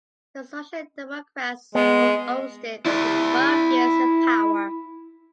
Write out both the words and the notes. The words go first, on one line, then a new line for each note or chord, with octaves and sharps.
The Social Democrats were ousted after twelve years in power.
G#3 B3
E4 D5